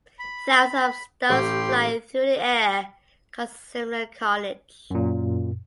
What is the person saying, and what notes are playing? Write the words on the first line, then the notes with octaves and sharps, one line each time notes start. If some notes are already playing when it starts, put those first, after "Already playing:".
Thousands of stones flying through the air cause similar carnage.
B5
A1 G4 G5 C6
F#2 A#2